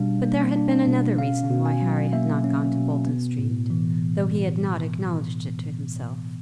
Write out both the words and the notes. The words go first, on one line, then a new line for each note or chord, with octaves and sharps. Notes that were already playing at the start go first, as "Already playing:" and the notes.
But there had been another reason why Harry had not gone to Bolton Street, though he had not acknowledged it to himself.
Already playing: B2 G3 D4 F5
A#3
D4
B2
C#4 F5
B2
G#5
F#3
A#3 E5
C#4
B2
B3
A2
E3